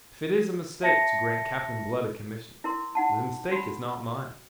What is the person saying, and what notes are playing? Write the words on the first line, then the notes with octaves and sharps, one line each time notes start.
If it is a mistake to grant Captain Blood a commission, the mistake is not mine.
E5 A5 A#6 C#7
E4 A#4 C6
D#4 F#5 A5
F#4 B5